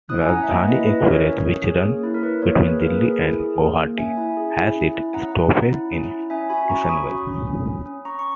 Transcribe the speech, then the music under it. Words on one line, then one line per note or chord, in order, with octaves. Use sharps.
Rajdhani Express which runs between Delhi and Guwahati has its stoppage in Kishanganj.
E4 D#6 F#6
G#5
C#4 F#5 A#5
E5
A#3 D#5 F#5
E4 B4 D#5
E4 B4 D#5
C#4 A#4 C#5
C#4
C#4
G#4
A#3
E4
A#4
E4 B4
A#3 A#4 C#5
G#4 B4
A#3 A#4
B4
G#4 A#4
E4
G#4
A#3
A#3
C#4 E5 G#5
E4
G#4
E4
C#4
E4
C#4 F#5 A#5
C#4
C#4
E4
C#4
E4
C#4 E5 G#5
F#4 G#5 B5
C#4 A#5 C#6
C#6
F#4 B5 D#6
C#4
C#4
C#4
C#4
C#4
C#4 A#5 C#6
C#6